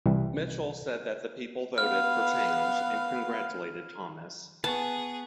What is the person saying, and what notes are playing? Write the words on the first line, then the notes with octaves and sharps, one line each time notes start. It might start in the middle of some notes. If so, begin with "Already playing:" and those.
Mitchell said that the people voted for change and congratulated Thomas.
C2 E3 G3
B3 F5 F6
B3 G#4 B4 A5 C#6